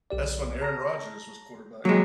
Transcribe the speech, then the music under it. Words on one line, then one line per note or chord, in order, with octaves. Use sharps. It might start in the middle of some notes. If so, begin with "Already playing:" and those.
That's when Aaron Rodgers was quarterback.
B1 G4 D5
A5 A#5 A#6
F#3 G#3 A#3